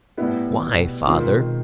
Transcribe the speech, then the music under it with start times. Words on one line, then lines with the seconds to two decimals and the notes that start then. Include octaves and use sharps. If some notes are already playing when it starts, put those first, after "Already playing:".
"Why, father?"
0.17 A2 G3 B3 E4
0.63 B2
1.07 D#3 G#3 C4 F4